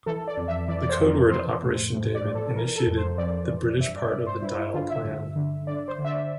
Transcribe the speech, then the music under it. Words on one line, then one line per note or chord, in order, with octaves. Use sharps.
The codeword "Operation David" initiated the British part of the Dyle Plan.
E3 A4
D5
F2
E5
E3 D5
D5
C5
F2
A#4
E3 C5
A2
A2
D5
A2
A4
E3 A#4
A4
F2
C5
F2 D5
E3
G2 E5
D5
G2 D5
C5
G2 E4
E4
D3 F4
E5
G2
D3
D3 D5
C5
D3
E5
D5